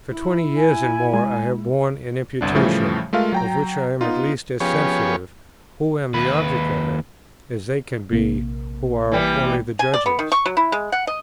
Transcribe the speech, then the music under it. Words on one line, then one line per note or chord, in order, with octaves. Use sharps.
For twenty years and more I have borne an imputation, of which I am at least as sensitive, who am the object of it, as they can be, who are only the judges.
E4
G#5
G#3
G1 C2 D4
A2 C#3 E3 F3 G3 A3
G#3 A3 F4 A#4 F5
F#3 G5 A#5
B3 D#4 F4
F3 B3 C#4 G4 G#4 C#5
D#2 B4
A#1 C3 A#3
E3 G3
G#5
D5
B3
D#3
C#6
F#3
E4
G#3
F#5
D#5